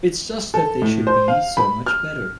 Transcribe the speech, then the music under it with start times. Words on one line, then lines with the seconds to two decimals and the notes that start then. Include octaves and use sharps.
It's just that they should be so much better.
0.54 A4
0.82 A2
1.07 C5
1.28 F5
1.57 B5
1.86 F6